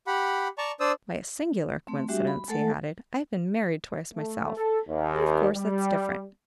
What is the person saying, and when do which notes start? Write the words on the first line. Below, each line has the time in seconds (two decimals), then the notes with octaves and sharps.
By a singular coincidence," he added, "I have been married twice myself--but, of course, that's different.
0.07 G4 F#5 B5
0.58 D5 A5 A#5 C#6
0.80 D4 C5 D5 D#6 E6
1.87 A3 C4
2.09 G3 G#3 D4 F#4 G4 E5
2.27 B5
2.48 G#3 A3 A4 F#5 A5
4.15 A3
4.55 A4
4.88 D#2
5.54 G3